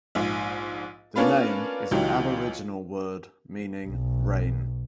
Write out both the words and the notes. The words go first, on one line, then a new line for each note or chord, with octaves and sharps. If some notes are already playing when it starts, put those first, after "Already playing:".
The name is an Aboriginal word meaning rain.
A#1 G#2
A#3 B3 C#4 D4 F4 B4
C#2 E3 F#3 D#4 G4
B1